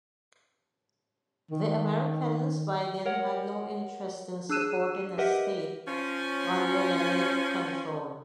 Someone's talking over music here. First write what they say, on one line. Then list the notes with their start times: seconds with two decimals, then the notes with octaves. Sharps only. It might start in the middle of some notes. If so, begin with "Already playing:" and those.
The Americans by then had no interest in supporting a state under Lenape control.
1.51 D#3
3.06 A#4 C#5 F#5
4.49 D4 G#4 E6 F#6 D#7 E7
5.18 G4 A#4 B4 D#5 E5 F#5
5.86 F3 C#4